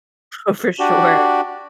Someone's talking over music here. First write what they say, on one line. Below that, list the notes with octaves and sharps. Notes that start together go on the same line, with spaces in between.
Oh, for sure.
D4 F#4 G4